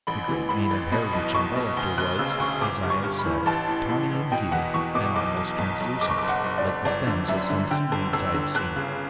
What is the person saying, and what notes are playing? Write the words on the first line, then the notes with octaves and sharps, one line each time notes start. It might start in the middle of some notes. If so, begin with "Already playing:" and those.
The great mane of hair which enveloped her was, as I have said, tawny in hue, and almost translucent, like the stems of some seaweeds I have seen.
A1 B5
E3
A2 B5
A1
B2 B5
B1
B1 C#6
B2
D2
D2 F#6
C#3 E6
D2 C#6
G1 D6
G2
C#6
G2
B5
E3
A1 A5
A2
A2
E3
B2 G5
E2 F#5
E2 C#6
B2 D6
B1 D6
B1
B1
B1
F#1 D6
C#6
D6
F#1
F#5
F#1
D5
F#1
G1 D5
D3
F#2 E5
D3
D3 G5
G1
G1 E6
D3
G1 F#6
C#3